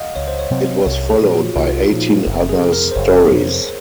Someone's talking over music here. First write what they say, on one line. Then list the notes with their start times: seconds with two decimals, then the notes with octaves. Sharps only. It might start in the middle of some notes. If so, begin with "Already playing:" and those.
It was followed by eighteen other stories.
Already playing: D#5 F5 F#5
0.16 C#2 C#5
0.28 C5
0.39 C#5
0.50 C3 F#3 C4
0.86 C2 C#5
1.09 G#4
1.21 A#2 F3 F#4
1.33 F4
1.56 C2 F4
1.91 A#2 F3 D#4
2.26 F#1
2.49 G#4
2.61 C3
2.66 F2
2.72 A#4
2.91 C5
2.96 F#1 C#5
3.31 F2 C3